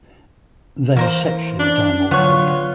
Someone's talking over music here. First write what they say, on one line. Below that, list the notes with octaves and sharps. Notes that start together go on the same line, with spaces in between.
They are sexually dimorphic.
E3 A#3 A#4 C5
D4
D3 F#3 B3 F4 C#5